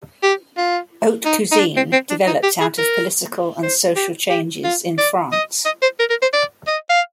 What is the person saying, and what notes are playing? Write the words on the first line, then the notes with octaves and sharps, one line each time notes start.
"Haute cuisine" developed out of political and social changes in France.
G4
F4
D#4
D#4
D4
C4
C4
D4
D#4
G4
G#4
A#4
C5
G4
G4
F4
D5
D#5
D#5
C5
A#4
A#4
C5
D5
D#5
F5